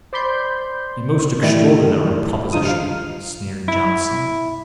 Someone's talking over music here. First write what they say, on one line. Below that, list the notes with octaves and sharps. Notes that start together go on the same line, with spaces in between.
"A most extraordinary proposition," sneered Johnson.
C5 D5 B5 C6 G6
A2 D#3 E3 G3 A3
G1 G2 F3 D#4 F4 D#6
F5 F6
E4